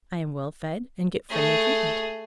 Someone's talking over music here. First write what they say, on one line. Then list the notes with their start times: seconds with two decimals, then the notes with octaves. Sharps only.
I am well fed, and get friendly treatment.
1.29 A3 G#4